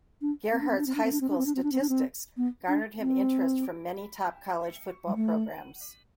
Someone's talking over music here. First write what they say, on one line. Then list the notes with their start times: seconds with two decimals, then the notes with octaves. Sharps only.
Gerhart's high school statistics garnered him interest from many top college football programs.
0.22 D4
0.52 C4
0.61 D4
0.70 C4
0.78 D4
0.87 C4
0.95 D4
1.03 C4
1.12 D4
1.21 C4
1.30 D4
1.38 C4
1.46 D4
1.55 C4
1.63 D4
1.72 C4
1.81 D4
1.89 C4
2.37 B3
2.68 D4
2.99 C4
5.07 G3
5.15 A3